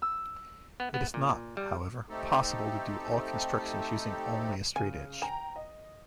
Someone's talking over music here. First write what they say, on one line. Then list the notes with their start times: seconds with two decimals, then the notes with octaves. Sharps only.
It is not, however, possible to do all constructions using only a straightedge.
0.02 E6
0.80 B3
0.94 B3
1.14 A#2
1.57 G3
2.09 A3 C4 D#4 G4 A4
4.76 C#3 G#5 D#7
5.22 G5 G#5 A#5
5.56 D#5